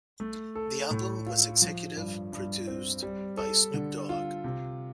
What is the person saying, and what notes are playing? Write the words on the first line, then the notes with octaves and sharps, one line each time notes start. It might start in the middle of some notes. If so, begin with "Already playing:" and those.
The album was executive produced by Snoop Dogg.
A3
A4
A2
F4
F3
G2
G2
C4
G3
A4
D3
F4
C3